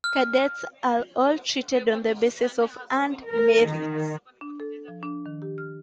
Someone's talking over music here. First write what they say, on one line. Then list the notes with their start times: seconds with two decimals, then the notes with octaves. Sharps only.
Cadets are all treated on the basis of earned merit.
0.04 F6
3.30 A#4
3.66 D#3
4.41 D4
4.60 A4
4.88 F3
5.03 D4
5.26 D#3
5.42 G4
5.58 F6